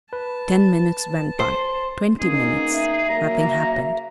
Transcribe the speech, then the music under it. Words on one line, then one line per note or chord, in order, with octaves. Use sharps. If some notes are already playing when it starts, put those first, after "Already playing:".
Ten minutes went by--twenty minutes--nothing happened.
B4 A5
C5 C6
B2 A#3 C#4 D#4 G#4
E5
C#3 F#3 A#3 A#5